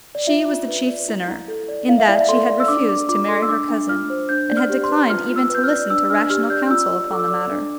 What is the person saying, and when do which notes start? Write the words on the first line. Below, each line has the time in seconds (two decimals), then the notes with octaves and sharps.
She was the chief sinner, in that she had refused to marry her cousin, and had declined even to listen to rational counsel upon the matter.
0.15 D5
0.27 F4 E5
0.48 F4
0.68 B4
0.88 D5
1.08 E4
1.28 E4
1.48 A4
1.69 D5
1.88 E4 F5
1.98 E5
2.08 E4 D5
2.18 E5
2.28 A4 C6
2.49 D5
2.60 E6
2.68 D4 D6
2.89 D4 D6
3.09 F4 D6
3.28 A4 C6
3.42 E6
3.49 D4 D6
3.69 D4
3.89 F4 F6
4.10 C5
4.29 D4 G6
4.50 D5
4.57 F6
4.69 G4
4.84 C6
4.89 B4
5.10 F4 F6
5.30 F4
5.36 E6
5.50 B4 G6
5.64 F6
5.70 D5
5.90 D4 E6
6.10 D4 F6
6.30 G4 F6
6.50 D5 G6
6.71 F4 E6
6.91 F4
7.10 A4 D6
7.19 E6
7.28 D5 D6
7.51 D4